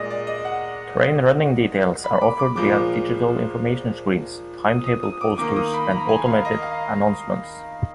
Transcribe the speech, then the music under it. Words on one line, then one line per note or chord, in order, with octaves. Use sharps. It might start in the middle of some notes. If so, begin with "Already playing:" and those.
Train running details are offered via digital information screens, timetable posters and automated announcements.
Already playing: A#2 G#3 D5 D#5
D5
D#5
F#5
B5
D6
D6
A#2 F3 G#3 D6
D#6
D#6
D#6
D6
D#3 A#3 D6
D#6
B5
A#5
G#5
F5
D#5
F5